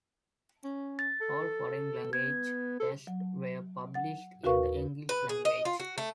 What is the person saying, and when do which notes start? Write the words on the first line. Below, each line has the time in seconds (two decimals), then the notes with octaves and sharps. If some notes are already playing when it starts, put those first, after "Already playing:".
All foreign language texts were published in the English language.
0.64 C#4
0.99 A6
1.21 A4
2.13 B3 G#6
2.80 A4
3.07 F#3
3.94 F#5 A6
4.44 D#2 F#4 A#4 B4 F5 C#6
5.09 B4
5.29 G#4
5.45 D#5
5.65 F4
5.80 F#4
5.98 A3